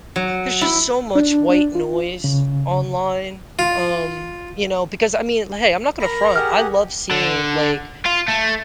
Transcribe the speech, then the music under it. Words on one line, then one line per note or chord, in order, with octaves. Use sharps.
there's just so much white noise online, um, you know, because I mean, hey, I'm not gonna front. I love seeing like,
F#3
E4
D4
D4
F4
C#3
F4
A#4 B5
G4 G#4 F#5 F6
D3
F4
A3